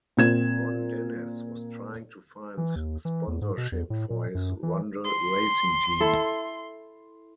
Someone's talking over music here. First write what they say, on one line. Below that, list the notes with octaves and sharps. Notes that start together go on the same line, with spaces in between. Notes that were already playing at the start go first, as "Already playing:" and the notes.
Ron Dennis was trying to find sponsorship for his Rondel racing team.
A#2 C4 G#6 E7
E3
D#2
E3
E2
G#2
B2
E2
A2
A#2
F#2
E3
C6
E4 A4